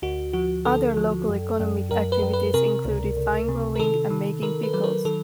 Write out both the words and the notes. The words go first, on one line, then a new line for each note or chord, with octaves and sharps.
Other local economic activities included wine growing and making pickles.
D2 F#4
F3 F#4
D3 A4
F3
F#2
F#2
F#2 A#4
B4
F#2
B4
C3 A#4
C#2
C#2
C3
A#4
D#3 A4
D#3
D#3 A#4
B4
F#3 B4
A#4
D#3 A4